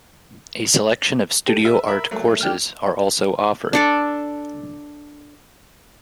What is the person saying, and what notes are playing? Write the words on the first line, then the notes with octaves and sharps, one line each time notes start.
A selection of Studio Art courses are also offered.
G4 A4
E5 F6
A#4 E5 B5
F#3 A3 A#3
D4 G5 F6
D4 A4 D5